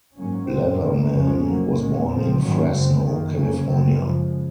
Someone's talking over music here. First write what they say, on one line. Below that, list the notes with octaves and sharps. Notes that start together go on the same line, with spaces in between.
Letherman was born in Fresno, California.
G#2 F#3 A#3 C#4
A#2 F#3 C4
G#2 D#3 A#3
F2 C3 F3 G#3 C#4
C3 F#3 A#3
A#2 G#3 C#4
A#2 F3 C4
G#2 D#3 F#3 A#3 C#4
F#2 C#3 G#3 C4
F#2 D#3 A#3
F2 C#3 F#3 A#3 C#4
F#2 C#3 F#3 C4
C#3 F3 G#3